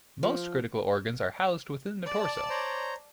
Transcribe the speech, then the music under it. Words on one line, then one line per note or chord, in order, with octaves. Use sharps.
Most critical organs are housed within the torso.
F3
D5 A5
C5 C#5 A#5